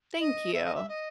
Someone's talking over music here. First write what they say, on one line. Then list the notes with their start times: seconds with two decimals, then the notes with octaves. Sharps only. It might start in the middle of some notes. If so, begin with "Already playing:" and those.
Thank you.
0.20 D#5
0.54 E5
0.65 D#5
0.75 E5
0.88 D#5